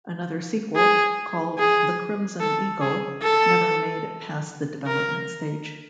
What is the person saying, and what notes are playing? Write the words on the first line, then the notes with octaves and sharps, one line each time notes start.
Another sequel, called "The Crimson Eagle", never made it past the development stage.
G#4
G#4
A4
G#4
A4
A#4